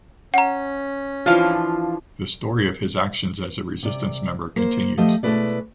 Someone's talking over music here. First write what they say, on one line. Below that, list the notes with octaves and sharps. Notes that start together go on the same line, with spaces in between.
The story of his actions as a resistance member continues.
C#4 F#5 A#5
E3 F3 D4 F4 F5
C3 D5
A#3 C5
F3 A3 G4 C5 D#5
B2 G#3 A3 E4 B4 D5